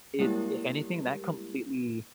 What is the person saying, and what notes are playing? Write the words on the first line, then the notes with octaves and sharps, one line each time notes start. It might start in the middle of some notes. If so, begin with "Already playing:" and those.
it if anything, that completely
G3 G#3 A#3 E4 G4 A#4